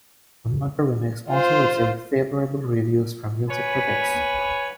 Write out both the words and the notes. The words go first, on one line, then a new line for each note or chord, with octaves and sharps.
The "Murder Remix" also received favorable reviews from music critics.
F4 C5
B4 C#5 G#5 B5